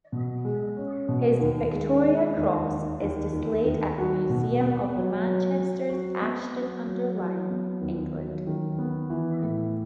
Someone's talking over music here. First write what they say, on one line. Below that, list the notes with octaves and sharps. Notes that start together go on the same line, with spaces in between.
His Victoria Cross is displayed at the Museum of the Manchesters, Ashton-under-Lyne, England.
B2
G#3
C#4
B2
D#2
G#3
G#3
D#2
D#2
D#2
D#2
D#2
F#4
B2
B3
F#3
F#3
F#3
F#4
B3
F#3
F#3
F#3
B3
D#2
F#3
D#3
B3
E3
A2